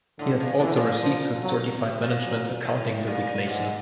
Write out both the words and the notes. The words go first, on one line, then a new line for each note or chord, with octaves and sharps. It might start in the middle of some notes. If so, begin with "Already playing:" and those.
He has also received his Certified Management Accounting designation.
A2 D3
A#2
A#2 E3
B2
A#2
F3
F#3
C3
A#2
F#3
A2
A#2 G3
G#2 G#3